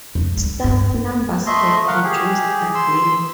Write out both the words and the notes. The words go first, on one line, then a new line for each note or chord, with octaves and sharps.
Staff numbers have reduced again.
F2
G3
G2
A3 D#5 E5 C6
A3 A#4 F5 F#5
G4 G#4
C6 E6